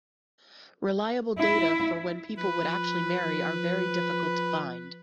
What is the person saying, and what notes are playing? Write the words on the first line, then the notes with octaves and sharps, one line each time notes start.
Reliable data for when people would actually marry are very difficult to find.
E4
F3 B4